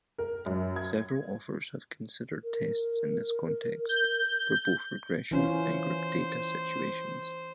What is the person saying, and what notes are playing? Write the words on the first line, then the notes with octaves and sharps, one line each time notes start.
Several authors have considered tests in this context, for both regression and grouped-data situations.
A#4
F#2
G#6
A#4
G6
E3 C#4 F4 C5